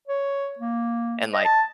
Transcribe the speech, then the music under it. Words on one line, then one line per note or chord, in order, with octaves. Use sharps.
and, like,
C#5
A#3
D#5
A5